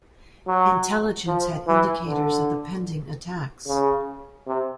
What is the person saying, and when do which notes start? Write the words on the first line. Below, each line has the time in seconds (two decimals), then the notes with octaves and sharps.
Intelligence had indicators of the pending attacks.
0.48 F#3
1.27 F3
1.67 E3
2.07 D3
3.67 C#3
4.47 C3